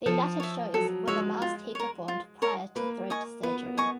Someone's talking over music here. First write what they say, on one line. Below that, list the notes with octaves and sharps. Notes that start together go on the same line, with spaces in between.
The latter shows were the last he performed prior to throat surgery.
F3 A4
C#5 E5
F#3 A4
G#3 C#5 E5
F4
A#4 C#5
F4
A#4 C#5
A#3 B4
D#5 G#5 C#6
B3 B4
B3
D#5 G#5 C#6